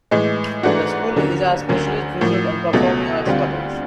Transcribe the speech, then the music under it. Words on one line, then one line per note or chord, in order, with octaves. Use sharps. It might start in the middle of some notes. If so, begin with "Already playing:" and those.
The school is a specialist visual and performing Arts College.
A2 E3 G#3
G#2 E3 A3 D4 F#4
D#2 D3 F#3 A#3 C#4
D2 D3 F#3 A#3 C#4
A2 F3 A#3
C#2 B2 F#3 A3
D2 D3 G3 C4 F4